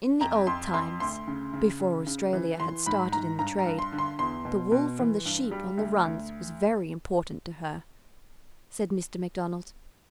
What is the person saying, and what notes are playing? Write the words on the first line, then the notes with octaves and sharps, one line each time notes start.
"In the old times, before Australia had started in the trade, the wool from the sheep on the runs was very important to her," said Mr. McDonald.
F2 A#5
F2 C6
F2 C6
D2 C6
C#3
C#3
C#3
C#3
E3
E3 C6
G#2 B5
G#2 A#5
G2 A#5
A#5
G2
C6
D3
C6
E2 C6
B2
B2
E3
G2
G3
D2
D2